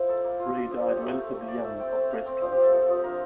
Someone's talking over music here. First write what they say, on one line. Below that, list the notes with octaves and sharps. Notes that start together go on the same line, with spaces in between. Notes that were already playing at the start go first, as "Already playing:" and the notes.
Ray died relatively young of breast cancer.
Already playing: F3 E4 C5
A#3 A4
A#3
F4
D4
F3
F3 G4
A4
A3
A#4
A3
A3
A3 D5
A3 E5
C4 G5
C4 A5
A3 F5
C4 D5
F3 C5
F4 G4
A4
F3 A4
F3
D4 A#4